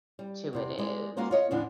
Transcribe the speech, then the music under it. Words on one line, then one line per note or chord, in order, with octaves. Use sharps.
to it is
G3
E2 C3 D5
G#3 D5
G#3 A#3 F4 F#4 A#4 C5
F4 C#5 D#5
E2 A2 D3 F3 D4